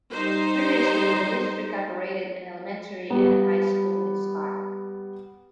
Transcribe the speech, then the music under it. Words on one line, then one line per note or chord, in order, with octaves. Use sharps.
Previously, the district operated an elementary and a high school in Scott.
G3 D#4 C5
G3 B3